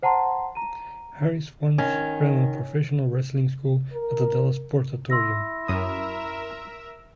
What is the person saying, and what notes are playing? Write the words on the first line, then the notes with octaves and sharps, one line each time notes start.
Harris once ran a professional wrestling school at the Dallas Sportatorium.
C5 F#5 A5 A#5 C6
A#5 D#7
D#3 C#4
A#4
E4 C6 E6 A#6
F#2 A#4 E5 D#6